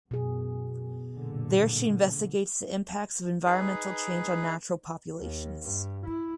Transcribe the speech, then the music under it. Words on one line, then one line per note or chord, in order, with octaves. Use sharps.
There she investigates the impacts of environmental change on natural populations.
F#2 B2 G#4
F#1 A#2 D3
D#4 G#4 B4
D#2
G2
E4